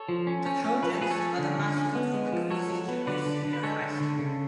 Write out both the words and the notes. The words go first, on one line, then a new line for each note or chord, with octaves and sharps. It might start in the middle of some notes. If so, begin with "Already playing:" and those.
The 'Trojans' are the mascot for the Quincy Junior-Senior High School.
Already playing: A4 C#5
F3
C#4
C#4
C#4
F3 B4
A4
F3 G#4 B4
A4 C#5
C#4
D3
D3
C#4
B3
G#3
F3
F#3 A4 C#5
F#3
B3
D3 B4 D5
D3
D3
B4
G#3 A4 C#5
D3
D3
C#3